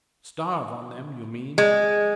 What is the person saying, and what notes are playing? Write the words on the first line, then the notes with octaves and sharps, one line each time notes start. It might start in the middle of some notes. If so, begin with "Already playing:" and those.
"Starve on them, you mean?"
G#3